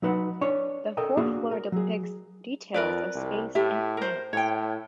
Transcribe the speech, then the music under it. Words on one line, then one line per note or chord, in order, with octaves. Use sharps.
The fourth floor depicts details of space and planets.
F#3 D#4 B4 F#5
D4 C#5
A4 A#4 D#5 G5
A#3 D4 F#4 G#4
A#4
F#3 G#4
F2 A#4 B4 D5
C2
A2 G4 E5
A#4 C5
A2 C#5 G5